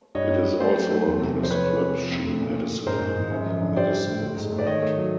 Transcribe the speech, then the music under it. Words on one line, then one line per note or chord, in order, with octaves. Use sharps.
It is also a prescription medicine under the Medicines Act.
G2 C#5 D#5
G2
G3
A3 C5 D5
F#3
A3
E2
C3
F3
C5
C3 B4 C#5
G#3
C3
F3
F2
A3
A#2
A#2
A#2
G#2 A#4 C5
G#2
G#2
F#2
F3
D3
G3 C5 D5
G3
A2
A3
G#2
A3
D5
D#3 C#5 D#5
A3
F#3